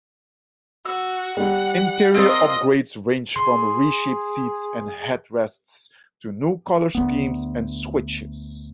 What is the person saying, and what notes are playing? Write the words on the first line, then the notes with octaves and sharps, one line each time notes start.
Interior upgrades ranged from reshaped seats and headrests, to new colour schemes, and switches.
F#4 E6
G3 F#5
C4 F4 A#4 D#5
G#4 C6
D2 B3